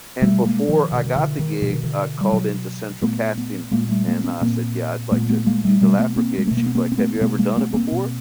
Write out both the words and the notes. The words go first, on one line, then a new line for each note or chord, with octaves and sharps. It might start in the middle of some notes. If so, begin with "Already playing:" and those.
and, before I got the gig, I called into central casting and I said, yeah, I'd like to do the laugher gig, and she's like, have you ever done it before,
B2 G3 A3
G#3 A#3
D#3 F3
B2 D3
D#3
D3 E3
D#3
B2 E3
D#3
D3 E3
G3
B2 E3 F#3
A#2 A3 B3
A3 B3
A#2 G#3 A#3
G3 A3
G#3 A#3
B3 C#4
A#2 A#3 C4
A#2 A3 B3
A3 B3
G#3 A#3
G3 A3
B2 G3 A3
A3 B3
A#3 C4
G#3
B2 A3
A#3
B3
A#3 C4
C4
A3 B3
A#3
B2 A3 B3
G#3 A#3
A3 B3
A#3 C4
B2